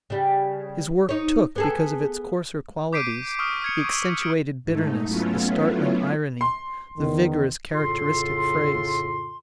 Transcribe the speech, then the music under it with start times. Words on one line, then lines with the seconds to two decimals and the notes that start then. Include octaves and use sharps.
His work "took" because of its coarser qualities, the accentuated bitterness, the startling irony, the vigorous, characteristic phrase.
0.10 C#3 G3
1.09 D#4 C#5
1.56 B3 G#4 A4
2.93 D6 G6 B6 C7 D7 D#7
3.39 C#6 D#6 F6 C7
3.62 F6 G#6 C#7
3.85 C#6 E6
4.18 F6 D7
4.64 G#2 A3 D#4
5.04 F#3 A3 B3 C#4 E4 F4
6.41 C6
6.97 E2 D#3
7.73 F2 A2 C#3 F4 A4 C6